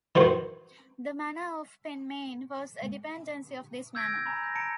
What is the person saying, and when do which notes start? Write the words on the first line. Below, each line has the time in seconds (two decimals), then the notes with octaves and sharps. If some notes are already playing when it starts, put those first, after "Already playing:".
The manor of Penmayne was a dependency of this manor.
0.15 D#3 E3 F#4 C5
3.95 E6 G6 G#6 A#6 D7
4.08 D7
4.26 G#5 A#5 B5
4.43 G6 A#6
4.55 A5 A#5 C#7 D7